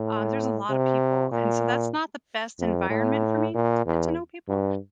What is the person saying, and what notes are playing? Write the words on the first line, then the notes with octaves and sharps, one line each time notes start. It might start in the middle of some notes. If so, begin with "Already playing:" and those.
um, there's a lotta people, and so, that's not the best environment for me to get to know people,
Already playing: A2
C3
A#2
F2
A2
A#2
E2
G2